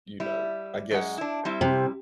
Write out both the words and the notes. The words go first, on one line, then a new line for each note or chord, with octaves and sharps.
you know I guess
G3 E4
F#2 G#3 F#5
D4 E4
G3 C4 E4
C3